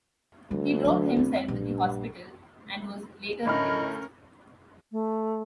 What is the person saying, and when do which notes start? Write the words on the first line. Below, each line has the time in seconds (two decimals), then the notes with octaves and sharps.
He drove himself to the hospital and was later released.
0.51 D2 G3
0.85 F#3 D4
1.17 C4 E4
1.48 A#1 G2
3.45 D2 A2 C#4 A#4 D#5 B5 F6
4.92 A3